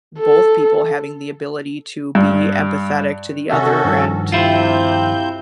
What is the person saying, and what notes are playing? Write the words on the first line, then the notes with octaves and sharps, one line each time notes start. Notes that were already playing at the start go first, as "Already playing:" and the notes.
both people having the ability to be empathetic to the other and,
A4
G2
C3 C#4 F#4 A4 E5
G2 D#3 F3
C3 C4 E4 F4 G6